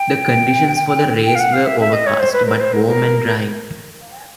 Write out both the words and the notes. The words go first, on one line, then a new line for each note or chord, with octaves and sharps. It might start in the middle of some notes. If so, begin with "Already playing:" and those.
The conditions for the race were overcast, but warm and dry.
Already playing: G5
G5
F5
F#5
F5
E5
E5
D#5
C#5
C5
B4
A#4
C5
A#4
A#4